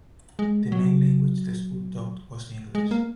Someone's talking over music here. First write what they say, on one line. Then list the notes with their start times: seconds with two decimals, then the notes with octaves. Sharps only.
The main language the school taught was English.
0.39 G#3
0.72 F#3
2.75 G#3
2.91 A#3